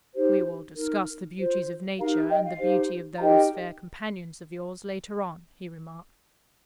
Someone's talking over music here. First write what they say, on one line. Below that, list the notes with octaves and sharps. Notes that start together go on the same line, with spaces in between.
"We will discuss the beauties of nature and the beauty of those fair companions of yours later on," he remarked.
D#4 G4 C5
D#4 A#4
F4 C5
D#4 G4 A#4 F5 A#5
D#5 G5
F5
D#4 G4 C5
A#5
D#4 G4 A#4 D#5 G5